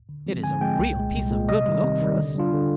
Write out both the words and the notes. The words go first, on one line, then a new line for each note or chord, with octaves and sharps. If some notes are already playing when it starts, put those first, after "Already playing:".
It is a real piece of good luck for us.
D3
F3 G#3 C4
D3 G#5
F3 G#3 C4 G5
C2
A#2 G#3
C2
A#2 G#3
C3 D#5
D#3 G3
C3
D#3 G3
D3
G3 D4 F4
D3